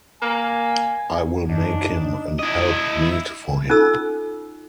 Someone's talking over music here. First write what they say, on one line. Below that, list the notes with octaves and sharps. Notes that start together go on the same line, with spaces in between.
I will make him an help meet for him.
A#3 G#5
F#2 D4 D#4
E4 D#5
C#4 D#4 F4 A4 E6